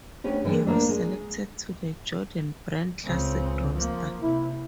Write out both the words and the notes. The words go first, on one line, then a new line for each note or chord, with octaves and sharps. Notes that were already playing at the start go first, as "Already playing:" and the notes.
He was selected to the Jordan Brand Classic roster.
D2 B3 C#4 G4
D3 E3 G3 G#3
D2 A#3 D4
G#3
C#2 C#3 C4
F3 A#3
C3 E4